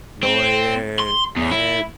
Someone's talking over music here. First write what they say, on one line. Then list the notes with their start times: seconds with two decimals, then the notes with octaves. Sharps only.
lawyer, and
0.23 C4
0.99 C6
1.37 E2
1.52 E4